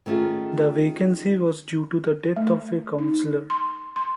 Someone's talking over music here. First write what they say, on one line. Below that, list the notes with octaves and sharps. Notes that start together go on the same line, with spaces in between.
The vacancy was due to the death of a councillor.
D#3 A3 C#4 F4 G#4
A3
D#4
C6
C6